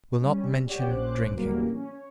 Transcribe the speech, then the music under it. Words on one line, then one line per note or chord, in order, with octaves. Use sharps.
Will not mention "drinking."
G3 C#4
G4 C#5 D5 F#5 G5
A#1 C#4 C5 D6 F#6
A2 C#3 E3 F#3 G3 A#3
C#4
C#5